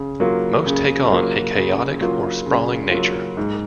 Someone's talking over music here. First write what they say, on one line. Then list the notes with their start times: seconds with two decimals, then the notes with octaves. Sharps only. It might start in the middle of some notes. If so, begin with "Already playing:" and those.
Most take on a chaotic or sprawling nature.
Already playing: C#3
0.20 F#3 A#3 F4
0.66 C#3
1.12 F#3 A#3 F4
1.56 C#3
2.01 F#3 A#3 F4
2.46 C#3
2.91 F#3 A#3 F4
3.37 G#2